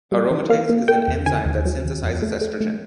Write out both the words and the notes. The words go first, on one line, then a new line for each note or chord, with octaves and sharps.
Aromatase is an enzyme that synthesizes estrogen.
G3
E3
A#3 F5
A#3
A#3 G5
E2
D3 G#5
D#2
F#3
D#2
F2
A3
A3
A3